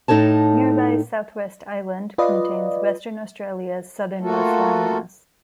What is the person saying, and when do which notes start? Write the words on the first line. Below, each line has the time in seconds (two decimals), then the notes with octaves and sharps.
Nearby "South West Island" contains Western Australia's southernmost landmass.
0.08 A2 D#4 A4 C#5 A5
2.18 F4 B4 D5 D#5
4.21 A3 A#3 F4 F#4 A4